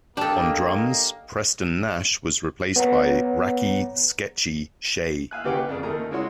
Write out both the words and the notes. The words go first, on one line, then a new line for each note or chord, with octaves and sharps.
On drums, Preston Nash was replaced by Racci "Sketchy" Shay.
A#3 D4 G4 A4 D#5
B3 C#5 F#5 A#5
E5 F5 G#5 F#6
D#2 C#3 G4 B4 F#5 G5
B4
F2 C#3 G#4 D5
D#2 D#3 A3 G#4 A#4 A#5
C#3 G#3 E4 F#4 C#5 C6